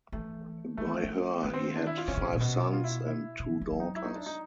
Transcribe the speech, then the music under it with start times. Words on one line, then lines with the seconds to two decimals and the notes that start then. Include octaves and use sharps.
By her he had five sons and two daughters.
0.12 E3 A3
0.77 F#3 A3
0.86 F3
0.94 E3
1.03 F3
1.43 D#3 B3
1.53 C4
1.76 D4
1.87 E4
1.98 F4
2.08 D3 C#4
2.17 C#3
2.25 C3
2.33 A#2
2.40 B2
2.73 F4
2.84 E4
3.07 E4
3.39 B2
3.50 F3
3.61 F#3
3.72 F#3
3.80 D#4
3.96 E4
4.04 D#4
4.15 D4
4.26 D#4